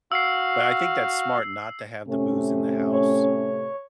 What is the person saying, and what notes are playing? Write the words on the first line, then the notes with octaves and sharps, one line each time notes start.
But I think that's smart not to have the booze in the house.
F#4 F5 E6 C7
A2 C3 A3 C#4
C#5